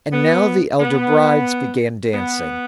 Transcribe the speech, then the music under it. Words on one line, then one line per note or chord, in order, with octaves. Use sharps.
And now the elder brides began dancing.
B3
B3
B3